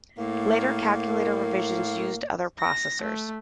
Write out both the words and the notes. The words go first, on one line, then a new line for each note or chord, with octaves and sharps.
Later calculator revisions used other processors.
A2 A#3
A#6
A3